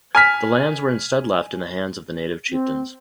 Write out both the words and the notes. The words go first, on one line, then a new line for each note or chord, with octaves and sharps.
The lands were instead left in the hands of the native chieftains.
G#5 F6 B6
C4